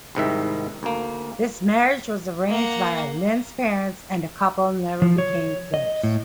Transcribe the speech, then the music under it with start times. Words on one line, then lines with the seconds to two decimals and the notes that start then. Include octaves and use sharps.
This marriage was arranged by Lin's parents, and the couple never became close.
0.15 C2 G#2 D#3 E5
0.83 D2 A#3
2.49 A#3 F#5
5.02 F3
5.18 C#5
5.74 D#5
6.03 A2